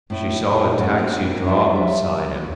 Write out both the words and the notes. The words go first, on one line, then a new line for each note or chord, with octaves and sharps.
She saw a taxi draw up beside him.
A2 E4
A#2 D#4 F4 G4 G#4
A2 G3 C#4 D5 F#5
A#3 C4 D4 D#4 F#4
F#3 D4 E4 F#4 D#5 E5
F#3 G3 E5